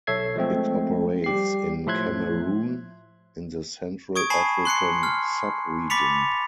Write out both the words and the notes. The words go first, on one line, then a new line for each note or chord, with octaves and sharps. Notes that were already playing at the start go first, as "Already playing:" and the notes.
It operates in Cameroon in the Central African sub-region.
B1 A4 C#5 E5 G#6 C7
F3 G#3 A3 C4
G3 G4 C7
A2 F3 E5 C6 F#6 G#6
C#6 D#6 G#6 D7
G#5 A5 B5 C7
C6 F#6 C7 C#7
F6
B5 D6 A6 B6 C#7 F7